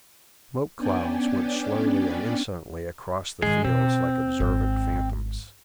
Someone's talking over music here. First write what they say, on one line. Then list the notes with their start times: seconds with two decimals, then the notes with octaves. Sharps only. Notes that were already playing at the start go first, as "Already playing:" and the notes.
Smoke clouds went slowly and insolently across the fields like observant phantoms.
0.77 B3 C#4 D4 D5 G5 G#5
3.42 G#2 D#3 G#3 G#4
3.65 B2 C4 C#4
4.40 G#1